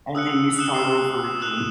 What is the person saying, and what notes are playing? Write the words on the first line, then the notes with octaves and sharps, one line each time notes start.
and then you start over again.
D#6 E6 F#6 C#7
D#6 E6 F#6 E7 G7
C7
D#6 E6 F#6 F7